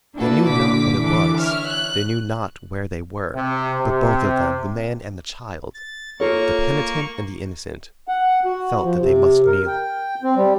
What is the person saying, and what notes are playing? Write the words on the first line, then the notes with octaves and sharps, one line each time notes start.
They knew not what it was, they knew not where they were; but both of them, the man and the child, the penitent and the innocent, felt that they must kneel.
A#3 D4 E4 F#4 A4 B4
A#2 D3 D6 B6
D3 E3 A4 D6
C#5 E5 F6
F#6
C3
C3
A6
A#3 F4 A4 A#4 C#5 C#6
F#5
F#4
F3
C3
A#4
G5
C4
G3